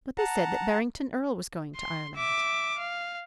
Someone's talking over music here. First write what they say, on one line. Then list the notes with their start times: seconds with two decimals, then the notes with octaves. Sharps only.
"But they said that Barrington Erle was going to Ireland."
0.18 F#5 A5 A#5
1.76 C6
2.15 E5 D6
2.78 F5